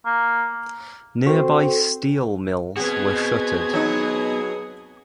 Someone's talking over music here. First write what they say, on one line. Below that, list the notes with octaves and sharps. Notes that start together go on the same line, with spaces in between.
Nearby steel mills were shuttered.
A#3
C4 F#4 A4
B3 C4 F#4 G#4 G#6
F#3 D#4